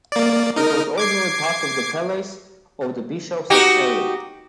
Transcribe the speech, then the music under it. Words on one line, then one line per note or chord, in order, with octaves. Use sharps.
It was originally part of the palace of the bishops of Ely.
A#3 D5
D#4 A#4
D6 G#6 C7
D#4 F#4 G4